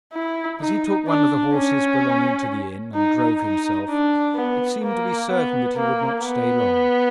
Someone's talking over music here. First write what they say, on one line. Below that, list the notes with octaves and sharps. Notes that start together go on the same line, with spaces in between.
As he took one of the horses belonging to the inn and drove himself, it seemed to be certain that he would not stay long.
E4
D#4
D4
C#4
D#4
D#4
D4
B3
A#3
B3
A#3
B3